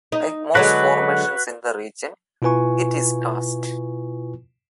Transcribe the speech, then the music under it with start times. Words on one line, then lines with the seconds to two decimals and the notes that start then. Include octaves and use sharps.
Like most formations in the region, it is karst.
0.12 D#4
0.55 D3 F#3 G#3 F#4 B4
2.42 B2 E4 F4 B4 G#5 C#6